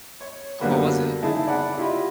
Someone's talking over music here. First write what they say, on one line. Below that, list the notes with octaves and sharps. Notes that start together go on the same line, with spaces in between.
Oh, what was it?
C#5
F#2 D3 G3 A#3 B3
C#3 D#4 E4 G#4 A5
D5 F#5 B5
E4 F4 G4 D#5 B5